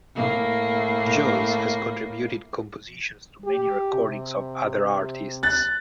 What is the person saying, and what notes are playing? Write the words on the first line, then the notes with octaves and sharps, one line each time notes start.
Joyce has contributed compositions to many recordings of other artists.
A2 A#3
G4
C3
F#6 A6